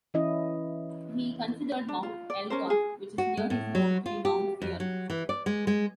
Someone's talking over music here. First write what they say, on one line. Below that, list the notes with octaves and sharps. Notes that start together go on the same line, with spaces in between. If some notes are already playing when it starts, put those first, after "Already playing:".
He considered Mount Elgon which is near his home to be Mount Zion.
E3 C#4 E4 D#5
D4
F4
D5
C#4 A#4 C5
G#4
F#4
G#3
A2
F#3
F4
G4
F2
F#3
E3
D5
G#3
G#3